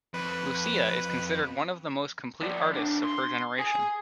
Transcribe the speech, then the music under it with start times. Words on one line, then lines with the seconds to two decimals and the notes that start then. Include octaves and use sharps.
Lucia is considered one of the most complete artists of her generation.
0.14 F2 B4
2.42 F3 D5
2.74 E2 D4
3.04 C6
3.59 G#4 G#5